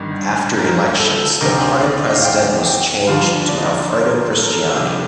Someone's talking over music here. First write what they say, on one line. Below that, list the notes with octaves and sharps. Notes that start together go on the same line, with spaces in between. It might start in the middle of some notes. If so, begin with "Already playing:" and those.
After elections, the party president was changed to Alfredo Cristiani.
Already playing: G1 G2 D#3
A#4
A4
D2 C3 D#3 A#4
C5
D5
D#5
F5
G5
G5
D#2 D3 F3 F5
D5
D#5
D5
C5
A#4
C5
A4
A#4
A4
G1 F2 C3